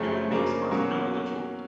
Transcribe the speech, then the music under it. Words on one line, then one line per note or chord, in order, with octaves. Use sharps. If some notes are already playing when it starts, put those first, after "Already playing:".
Human beings must know the "Truth".
Already playing: F#2 C#3 F3 A3 C4
F#2 C#3 F3 A#3 D4
B2 F#3 A#3 C#4